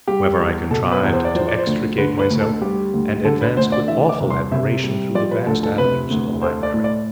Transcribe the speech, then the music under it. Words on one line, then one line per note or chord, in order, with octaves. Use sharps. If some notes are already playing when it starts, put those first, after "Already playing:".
However, I contrived to extricate myself, and advanced with awful admiration through the vast avenues of the library.
G3 G4
E2
B2 A4
B4
E2
C5
D5
F3 C5
D5
C5
D2
D3 B4
B4
D2
A4
G3 G4
D2
D3 A4
B4
D2 C5
D5
E3 E5
D6
C2
C6
C3 E5
G3
F3 D5
B4
D2 A4
A4
C3 B4
D2
A3 C5
D5
A2
D5